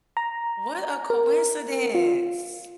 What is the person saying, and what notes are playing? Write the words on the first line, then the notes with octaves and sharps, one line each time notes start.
What a coincidence.
A#5
A#4
F4